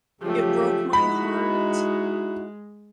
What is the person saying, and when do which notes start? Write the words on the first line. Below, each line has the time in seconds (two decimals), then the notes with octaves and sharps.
it broke my heart
0.22 C#3 F3 F#3 A3 G4
0.93 G#3 D#4 E4 F#4 B5